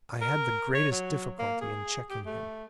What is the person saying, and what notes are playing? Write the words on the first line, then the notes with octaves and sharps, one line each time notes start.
I had the greatest difficulty in checking him.
A#4
C#5
F#3
A#3
G#4
G4
A3